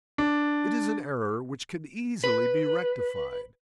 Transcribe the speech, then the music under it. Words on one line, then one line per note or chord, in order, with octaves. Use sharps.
"It is an error which can easily be rectified."
D4
B4